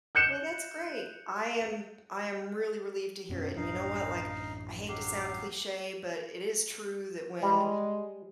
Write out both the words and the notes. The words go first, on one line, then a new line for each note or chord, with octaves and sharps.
Well, that's great. I am I am really relieved to hear it. And you know what, like, I hate to sound cliché, but it is true that when
F#6 G6 C#7 E7
F#2 B2 C#4
A1 F#2 D4 D#4 F5
F#3 G4 F5
G3 G#3